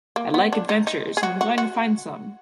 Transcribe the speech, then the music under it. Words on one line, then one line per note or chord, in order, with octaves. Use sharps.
I like adventures, and I'm going to find some.
A#3
B3
D4
D#4
D#4
G#4
F#4
F#4
F#4